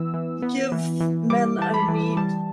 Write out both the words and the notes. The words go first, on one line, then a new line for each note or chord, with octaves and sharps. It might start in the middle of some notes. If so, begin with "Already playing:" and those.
give men I meet
Already playing: E3 B3 E6
E3
B3
E3
E3
G3 D6
E3 A5
B5
E3
G3 A5